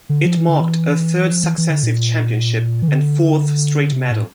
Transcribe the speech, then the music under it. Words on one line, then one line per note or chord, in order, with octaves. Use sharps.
It marked her third successive championship and fourth straight medal.
D3
F3
E3
D3
E3
F3
E3
E3
D3
A#2
E3
D3
C3
A2